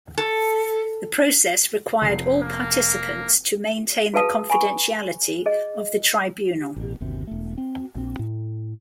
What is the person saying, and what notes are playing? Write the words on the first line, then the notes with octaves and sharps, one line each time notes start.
The process required all participants to maintain the confidentiality of the tribunal.
A4
F1 C7
A#3
F#4 G#4 B4 F5 A5 D#6
G#5 B5 C#6
G#4 D#5
A1 B2
G1 D#2 C3
E1 A3
C4
A#1 C4
A2